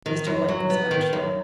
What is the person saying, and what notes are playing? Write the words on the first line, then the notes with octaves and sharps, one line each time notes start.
Mr. Blake was a bachelor.
D#3
F#2
F#3
B3
D#3
F#2